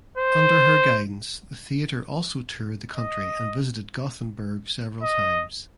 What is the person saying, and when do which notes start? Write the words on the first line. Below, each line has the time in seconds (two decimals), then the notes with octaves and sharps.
Under her guidance the theatre also toured the country and visited Gothenburg several times.
0.17 C5
2.95 D#5
5.03 D#5